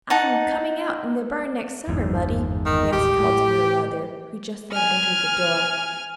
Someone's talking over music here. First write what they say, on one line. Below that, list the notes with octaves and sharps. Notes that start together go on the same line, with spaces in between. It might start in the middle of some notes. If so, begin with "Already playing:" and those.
"I'm 'coming out' in the barn next summer, Muddy!" Nancy called to her mother, who just then entered the door.
D#4 F#5 A5
G1 E2 G#2
D#3
D#1 A1 G4
A2
G#5 F6